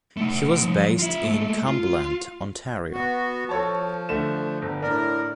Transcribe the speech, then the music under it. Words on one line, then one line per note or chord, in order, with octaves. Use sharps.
He was based in Cumberland, Ontario.
A3 D#4
F3 G3
F4 E5
G#3 A3
F4
B3 F#4
F3 A4 C#5 A5
D3 A3 E7
G1
A2 D4 A#4